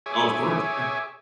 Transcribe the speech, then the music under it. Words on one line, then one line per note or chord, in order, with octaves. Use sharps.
Oh, of course, yeah.
G#4 C#5 E5 G#5 D6